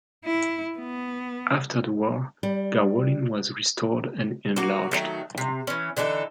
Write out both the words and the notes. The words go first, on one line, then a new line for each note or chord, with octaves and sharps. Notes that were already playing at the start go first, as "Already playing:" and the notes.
After the war Garwolin was restored and enlarged.
E4
B3
G3
A#3 F#4
D#3 F#3 A3
C3
E3 C#4
D3 E3 D#4 A4